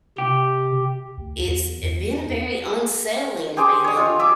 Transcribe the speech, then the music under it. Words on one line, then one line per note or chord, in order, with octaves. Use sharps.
it's it been a very unsettling feeling,
C3 G4
D2
E2
E2
G4 G#4 C5 D6
C#5 D#5
F4
E5 D6 E6